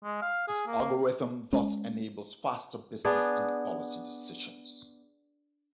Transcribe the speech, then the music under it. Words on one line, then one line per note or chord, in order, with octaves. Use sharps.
His algorithm thus enables faster business and policy decisions.
G#3
F5
G#4
A#3
G#3 C#4
B3 D4 G#4